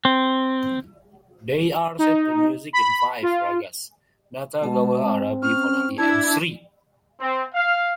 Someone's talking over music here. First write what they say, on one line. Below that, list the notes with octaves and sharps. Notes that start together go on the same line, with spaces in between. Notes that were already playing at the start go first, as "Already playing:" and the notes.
They are set to music in five ragas: Nata, Gaula, Arabhi, Varali and Sri.
C4
D#4
B5
F4
B2 G#3 A5
C4
C#4 F6
D4 E4 A5 G#6
C4
F5